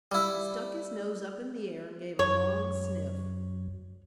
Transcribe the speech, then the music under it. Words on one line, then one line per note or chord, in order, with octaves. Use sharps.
He stuck his nose up in the air and gave a long sniff.
G3 E4
F#2 C#5